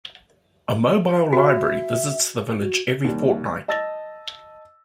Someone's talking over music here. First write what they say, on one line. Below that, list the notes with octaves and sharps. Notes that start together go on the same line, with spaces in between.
A mobile library visits the village every fortnight.
F#4 E5
F#4
D#2 G3
D#5 A5 E6 A6 A#6